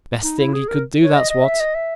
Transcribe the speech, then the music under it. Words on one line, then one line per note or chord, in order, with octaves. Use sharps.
Best thing he could do, that's what.
D#4
E4
G#4
A#4
C#5
D#5
D#5
E5
D#5
E5